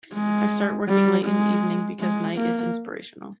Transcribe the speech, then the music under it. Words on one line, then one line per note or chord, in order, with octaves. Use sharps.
I start working late in the evening because night is inspirational.
G#3
G3
G#3
G#3
A#3